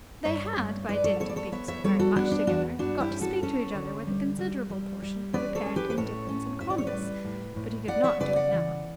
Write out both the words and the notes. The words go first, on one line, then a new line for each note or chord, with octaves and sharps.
They had by dint of being so very much together, got to speak to each other with a considerable portion of apparent indifference and calmness; but he could not do it now.
G2 C#5 E5
G2
G2 B4 D5
A4 C#5
B3 A4 C#5
D5
A4 C#5
B3 C#5 E5
C#5 E5
G3 A4 C#5
F#4 A4
B3 D4 F#4
D4
E2 D4 F#4
G2 D4 F#4
E4 G4
C#4
F#4 A4
C#4 A4 C#5
D3
G3
G3
G3
G3
C#4 B4 D5
A4 C#5
C#4
G4 B4
B4
A2 A4 C#5
C#4
A2 E5
D5
C#5
B4 D5
G3
A2
A2
B3 D5 F#5
C#5 E5
C#3 B4 D5
D5 F#5
E3